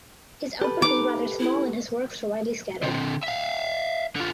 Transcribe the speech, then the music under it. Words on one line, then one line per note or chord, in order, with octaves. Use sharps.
His output was rather small and his works are widely scattered.
G4 A4 B4
D#4 D6
E4
D3 C4
E5 F5
D3 F4